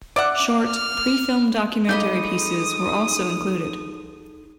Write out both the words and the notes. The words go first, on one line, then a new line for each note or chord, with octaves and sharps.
Short, pre-filmed documentary pieces were also included.
D5 E5 F#5 D6
F6
G3 D#4 G#4 A4 D5 D#5 B5 D#6